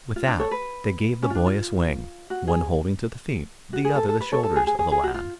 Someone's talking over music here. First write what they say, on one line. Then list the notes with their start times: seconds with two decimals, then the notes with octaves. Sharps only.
With that they gave the boy a swing, one holding to the feet the other the shoulders of the lad.
0.16 F4
0.27 D4
0.39 A4 C#5
0.51 B4
1.22 C#4
1.30 F4
1.35 D4
1.46 F4
2.30 F#4
2.47 G#4
3.73 F#4
3.84 G#4
3.95 A4
4.09 A4
4.20 B4
4.32 A4 C#5
4.43 A4
4.56 G#4
4.67 G#4
4.79 G#4
4.92 G#4
5.03 F#4
5.14 F4